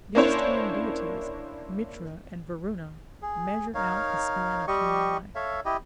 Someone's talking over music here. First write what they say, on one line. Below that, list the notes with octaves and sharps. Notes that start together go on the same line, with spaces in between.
These twin deities, Mitra and Varuna, measured out the span of human life.
A#3 C#4 D4 E4 C5 C#5
G#4
D#4 A#4 C#5 F5
G3 G4 D#5 C#6
A4 C#5 E5 F5
E4 G4 D#5